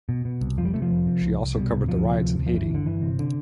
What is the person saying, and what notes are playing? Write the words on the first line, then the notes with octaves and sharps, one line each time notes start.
She also covered the riots in Haiti.
B2
B2
C2
F1 F3
G3
C3 A3
F3
F1
C3
C2
C2
B2 G3
C2
D2 F3
C3
D2
D2
F3
G1 E3
C3
D3
G1 E3
C3
D3